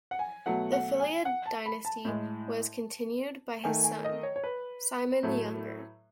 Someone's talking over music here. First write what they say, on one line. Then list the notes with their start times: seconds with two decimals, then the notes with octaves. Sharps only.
The Philaid dynasty was continued by his son, Cimon the Younger.
0.11 F#5
0.19 G#5
0.46 B2 F#3 A3 F#5
0.73 F#5
1.00 G#5
1.25 F#5
1.46 A5
1.66 B5
1.85 A5
2.05 A2 G#3
3.64 D#3 A3 G#5
3.84 G#5
4.04 D#5
4.23 C#5
4.36 C#5
4.44 B4
5.23 A2 F#3 A3